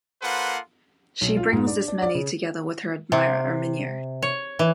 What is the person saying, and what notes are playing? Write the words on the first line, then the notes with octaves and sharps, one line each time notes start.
She brings Ismene together with her admirer Erminio.
A#3 F4 A4 B4 C5 F#5
B1
F4
G#2
D4
D4
D5
C#3
C3
C#5
E3